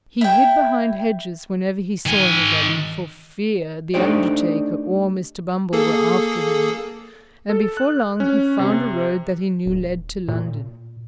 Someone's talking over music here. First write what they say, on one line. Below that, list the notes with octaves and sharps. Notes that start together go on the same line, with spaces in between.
He hid behind hedges whenever he saw anybody, for fear the undertaker or Mr. Bumble were after him, and before long he found a road that he knew led to London.
E4 G5
D#3 G#5
A3 D4 D#4 G4 C5 D5
A#3 G#4 A4
A4
F#6
C#4
C3
D#1
A#2